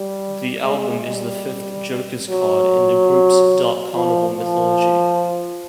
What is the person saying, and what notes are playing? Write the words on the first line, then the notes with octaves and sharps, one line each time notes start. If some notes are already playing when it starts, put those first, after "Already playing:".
The album is the fifth Joker's Card in the group's Dark Carnival mythology.
Already playing: G3
G#3
G3
F#3
F3
F3